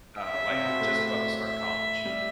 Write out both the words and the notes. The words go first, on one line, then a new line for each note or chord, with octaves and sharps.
uh, like, just about to start college,
E5
C#3 C#4
C3 C4
B2 B3
A2 A3
E5
G3